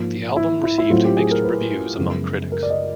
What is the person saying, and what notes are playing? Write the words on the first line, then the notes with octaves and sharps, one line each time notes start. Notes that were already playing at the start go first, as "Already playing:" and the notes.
The album received mixed reviews among critics.
Already playing: G#2 F3 A#3 F4
E4
E4
E4
A2 F#3 A3 C4 F4
G4
G#4
A#4
B4
F#2 C#3 F3 G#3 B3
A#4
D5
D#5